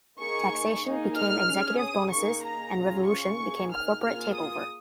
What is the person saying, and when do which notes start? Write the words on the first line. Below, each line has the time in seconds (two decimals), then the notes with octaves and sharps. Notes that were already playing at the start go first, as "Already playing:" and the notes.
Taxation became Executive Bonuses, and Revolution became Corporate Takeover.
0.20 A#3 D#4 G#4 C#6
0.84 A#3 D#4 G#4
1.15 F6
1.47 C#4 G#4
1.79 D#6
2.11 A#3 D#4 G#4 C#6
2.44 A#5
2.74 C#4 F4 G#4
3.07 C#6
3.39 A#3 D#4 G#4
3.71 F6
4.03 A#3 F4 G#4 F6
4.34 D#6